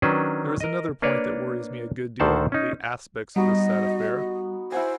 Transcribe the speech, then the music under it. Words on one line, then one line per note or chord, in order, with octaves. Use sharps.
There is another point that worries me a good deal in the aspects of this sad affair.
D#3 F#3 C#4 D4 B4 C5
A#4 D#5
A#3 D4 B4 C#5 D5
D2 D3 D#3 C5 F#5 A5
C#4 D#4
G3 B3 D#4 F#4 D#5
E4 C5 F#5 G#5